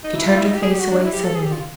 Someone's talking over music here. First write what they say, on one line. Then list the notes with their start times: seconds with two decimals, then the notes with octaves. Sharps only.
She turned her face away suddenly.
0.04 D#4
0.15 E4
0.27 F4
0.37 E4
0.46 D#4
0.54 G4
0.62 G#4
0.70 G4
0.80 F#4
0.91 D4
1.03 E4
1.13 G4
1.24 A4
1.35 G#4
1.43 G4
1.52 F4